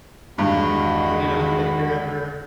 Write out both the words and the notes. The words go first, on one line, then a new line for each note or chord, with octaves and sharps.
you know, if you're ever
E2 G2 D#3 G#3 F#4 B5